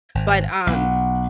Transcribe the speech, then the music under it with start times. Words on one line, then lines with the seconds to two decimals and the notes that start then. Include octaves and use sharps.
But, um,
0.15 G#1
0.67 B1 F#5